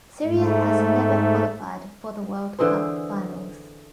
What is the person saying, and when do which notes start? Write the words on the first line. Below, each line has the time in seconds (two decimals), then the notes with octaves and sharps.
Syria has never qualified for the World Cup finals.
0.24 G#2 A3
2.59 D3 E3 G#4 C5